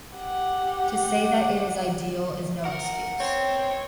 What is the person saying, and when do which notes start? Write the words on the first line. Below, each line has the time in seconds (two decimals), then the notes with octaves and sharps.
To say that it is ideal is no excuse.
0.17 G4 F#5
2.65 A#4 F#5
3.20 C4 C#5